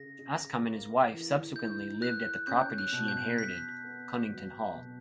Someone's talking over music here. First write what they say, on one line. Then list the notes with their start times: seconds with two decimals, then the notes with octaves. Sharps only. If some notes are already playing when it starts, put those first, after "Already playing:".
Askham and his wife subsequently lived at the property she inherited, Conington Hall.
Already playing: C#3 A#6
0.19 C#3
0.65 A#3
1.11 E3
1.56 E4 G6
2.01 A#3 F#6
2.47 C#4 G6
2.78 F#6
2.93 B2
3.08 G6
3.38 B2 B6
3.84 B3
4.30 F#3
4.75 B2